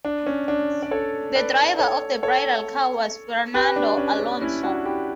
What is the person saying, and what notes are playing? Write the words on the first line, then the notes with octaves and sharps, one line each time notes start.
The driver of the bridal car was Fernando Alonso.
D4
C#4
D4
D5
A4 C#5
B4 D5
A4 C#5
A4 C#5
G4 B4
D4
C#4
C#4
C#4 E4
D4 F#4
E4 G4